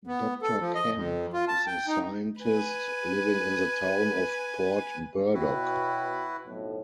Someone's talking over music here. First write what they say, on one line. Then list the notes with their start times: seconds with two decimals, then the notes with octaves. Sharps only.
Doctor Kemp is a scientist living in the town of Port Burdock.
0.07 B3
0.42 A4
0.60 F3
0.75 D#5
0.94 F2
1.33 F4
1.48 A5
1.67 G5
1.87 D#4
2.40 B4 G#5
5.34 B2 E4 F#4 B4 C#5 G5
6.46 B1 F2 A2